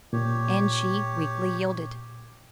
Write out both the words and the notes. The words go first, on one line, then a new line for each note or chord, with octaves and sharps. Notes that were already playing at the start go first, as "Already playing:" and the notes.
And she weakly yielded.
A#2 G4 C#5